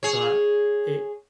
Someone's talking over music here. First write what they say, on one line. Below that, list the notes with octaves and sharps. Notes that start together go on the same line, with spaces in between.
But it
G#4 C#5